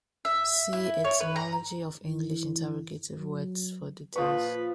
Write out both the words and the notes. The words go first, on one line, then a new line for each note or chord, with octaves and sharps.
See etymology of English interrogative words for details.
E5
E4
C#5
B4
A#5
E3
F#3
A#2 F3 B4 C#6